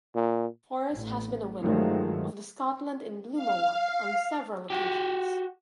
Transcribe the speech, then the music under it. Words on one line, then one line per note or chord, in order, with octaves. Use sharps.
Forres has been a winner of the Scotland in Bloom award on several occasions.
A#2
A1
G2 D#3 F3 F#3 G#3 A3
F5
F#4 G4